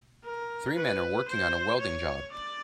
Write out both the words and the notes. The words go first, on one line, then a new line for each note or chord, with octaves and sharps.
Three men are working on a welding job.
A#4
B4
C5
C#5
D5